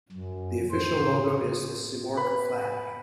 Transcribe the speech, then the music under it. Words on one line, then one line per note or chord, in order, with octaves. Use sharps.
The official logo is the Simorq flag.
F#2
C5
B4